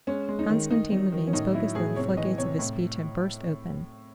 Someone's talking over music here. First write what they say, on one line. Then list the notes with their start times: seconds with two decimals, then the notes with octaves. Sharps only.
Konstantin Levin spoke as though the floodgates of his speech had burst open.
0.07 G#3 C#4
0.29 G#3
0.39 D#4
0.50 D#3
0.71 D#3 D#4
0.92 F#3
1.12 D#3
1.27 C#4
1.33 A2 D#4
1.54 F#3 E4
1.75 A2 G#4
1.96 C3 C#5
2.17 E3 D#5
2.38 C3 C#5
2.59 A2